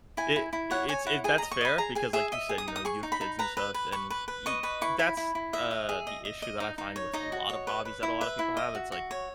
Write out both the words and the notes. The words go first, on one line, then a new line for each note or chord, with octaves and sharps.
it it it's it that's fair because, like you said, you know, you have kids and stuff, and e that's, uh, the issue that I find with a lot of hobbies that a lot of people have. It's like,
E4 G#5
E4
E4
C#5 F#5
C#5 G#5
E4 F#5
G#4 G#5
A#5
D#5
C#6
D#5 B5
G#4 A#5
G#4 G#5
G#4 E5
D#5 E5
G#4
D#6
D#4
D#6
G#4 C#6
D#4
B5
D#4
B4 A#5
B4
B4
B4 C#6
B4
B4
D#5 C#6
B4 C#6
E4 C#6
E4 B5
E4
E4
D#5 E5
D#5
G#4
D#5
D#5
D#5
D#4
D#4
C#5
D#4 D#5
F#4
C#5
B4
B4
E4
B4 E5
E4
D#5
F#4
F#4
C#5